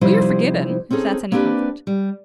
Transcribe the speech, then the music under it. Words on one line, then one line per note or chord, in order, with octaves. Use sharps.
"Oh, you're forgiven--if that's any comfort."
C3 F3 G3 D#4 E4 C5
C4 C#4 D#4 G#4 A4
A#3 C4 D4 G4 B4 D5
G3